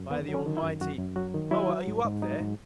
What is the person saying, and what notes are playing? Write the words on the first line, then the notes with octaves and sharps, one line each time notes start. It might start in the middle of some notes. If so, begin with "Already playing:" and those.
By the Almighty, Moa, are you up there?
Already playing: F#2
D#3 B3
F#3
C#4
D#3
E4
F#2
F#2 F#4
F#2
F#3 F#4
D#3
F#3 E4
F#3
G#2
G#2
F#3 D#4
G#2